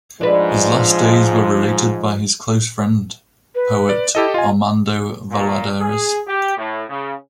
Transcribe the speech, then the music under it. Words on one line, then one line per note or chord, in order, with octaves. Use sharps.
His last days were related by his close friend, poet Armando Valladares.
G#2 F3 G#3 D4 B4
B4
D5
E4 G4 A4 D#5
F4 D#5 G#5
A#2
G#4
G4
A2
C#3